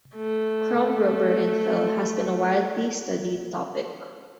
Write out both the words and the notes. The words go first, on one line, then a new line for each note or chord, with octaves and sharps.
Crumb rubber infill has been a widely studied topic.
A3